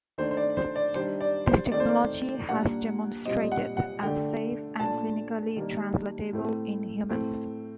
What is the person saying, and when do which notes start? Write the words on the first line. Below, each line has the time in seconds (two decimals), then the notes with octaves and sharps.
This technology has demonstrated as safe and clinically translatable in humans.
0.18 D#3 A3 D4 C5
0.31 C5
0.37 D5
0.57 C5
0.76 D5
0.95 D#3 G3 D4 C5
1.21 D5
1.46 C5
1.72 D#3 A3 C4 D5
1.80 C5
1.89 D5
2.49 A#2 G3 A#3 D4 F#5
3.25 A#2 G3 C4 D#5
3.52 F#5
3.77 F#5
4.03 D3 A3 D4 G5
4.80 A#2 A3 D4 A5
5.56 D#3 G3 A#3
6.33 A2 A3 C4
7.10 A2 A3 C4